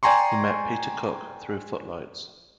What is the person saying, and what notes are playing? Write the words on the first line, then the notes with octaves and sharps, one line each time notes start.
He met Peter Cook through "Footlights".
D5 G5 G#5 A#5 C6 C#6